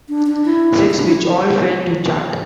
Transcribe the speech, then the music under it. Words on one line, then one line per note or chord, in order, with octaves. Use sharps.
Sex, which all failed to chart.
D4
D4
E4
E4
D4
E4